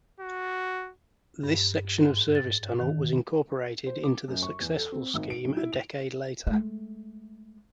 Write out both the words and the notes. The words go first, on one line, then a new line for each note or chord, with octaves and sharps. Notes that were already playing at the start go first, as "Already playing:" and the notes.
This section of service tunnel was incorporated into the successful scheme a decade later.
F#4
G2
G#2
A6
D#3
C5
D6
F#2
C#6
E2
A4
C4
G#1
D7
B1
E4
F7
G#3 A3